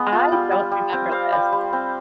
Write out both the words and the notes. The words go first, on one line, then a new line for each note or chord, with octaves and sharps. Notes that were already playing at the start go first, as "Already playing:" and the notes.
I don't remember this
Already playing: G#3 B3
F4
G3
G3
G3
C4
C4 F5
G3
G3
C4